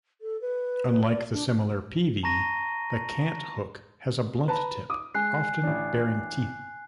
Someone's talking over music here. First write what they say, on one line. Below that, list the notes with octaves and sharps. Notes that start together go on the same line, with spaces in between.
Unlike the similar peavey, the cant hook has a blunt tip, often bearing teeth.
A4
B4
D5
D4
A5 A#5 C#6 A#6 D#7 G7
B4 A5 A#5
D6 D#6
G#3 G#5 F#6 C7
A1 D4